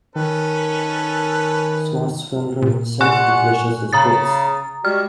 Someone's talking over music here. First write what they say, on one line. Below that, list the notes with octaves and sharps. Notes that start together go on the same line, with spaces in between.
Swartzwelder self-publishes his books.
D#3 C#4 A4 B4
A#2
G3 F4 F#5 G#5 C#6 F#6
C#3 A#5 D#6 A6
G3 G#3 F#4 F6